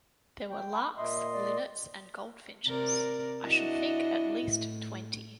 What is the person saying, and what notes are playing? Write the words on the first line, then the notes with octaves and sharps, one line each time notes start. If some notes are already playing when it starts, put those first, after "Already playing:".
There were larks, linnets, and goldfinches — I should think at least twenty.
G5
B5
A#2 D#5 E5 C6
D5
C3 A#4 D5
D4 E4 F#4 D#5
A2